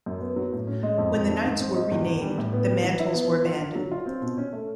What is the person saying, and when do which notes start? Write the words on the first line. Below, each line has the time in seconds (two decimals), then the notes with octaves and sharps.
When the knights were renamed, the mantles were abandoned.
0.06 F#2
0.21 B3
0.36 F#3
0.52 A2
0.67 C#4
0.83 G#3
0.98 F2
1.14 F2
1.29 D#3
1.45 G#2
1.60 C4
1.75 G#3
1.91 E2
2.06 E2
2.21 G3
2.38 A2
2.53 B3
2.67 G3
2.83 E3
2.99 E4
3.14 B3
3.30 F3
3.45 F4
3.61 D4
3.75 F#3
3.92 F4
4.06 C4
4.22 B2
4.38 C#4
4.53 A3